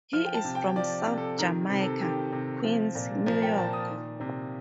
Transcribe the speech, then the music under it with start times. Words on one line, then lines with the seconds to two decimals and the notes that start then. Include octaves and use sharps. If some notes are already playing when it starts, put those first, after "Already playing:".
He is from South Jamaica, Queens, New York.
0.13 F3 F6
0.25 G5
0.34 A5
0.44 C3
0.55 G5
0.76 F3 D5
1.07 C3
1.18 A4
1.39 D#3 A#4
1.70 C3
1.81 A4
2.01 D#3 G4
2.32 C3
2.64 F3
2.95 A#2
3.26 F3 A#4
3.42 G5
3.58 A#2 A5
3.73 D#6
3.89 D#3
4.21 C3